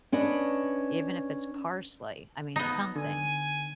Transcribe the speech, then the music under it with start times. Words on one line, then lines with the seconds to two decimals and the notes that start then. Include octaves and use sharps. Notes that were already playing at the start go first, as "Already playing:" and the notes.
Even if it's parsley, I mean something.
0.12 C#4 D4 B4 D#5
2.56 B3 D#4
2.96 D3 G#5